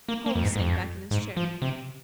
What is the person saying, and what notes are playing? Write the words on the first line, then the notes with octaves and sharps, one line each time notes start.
Holmes sank back in his chair.
A#3
A#3
F2
G#2
G#2
F2
G#2
F3
C3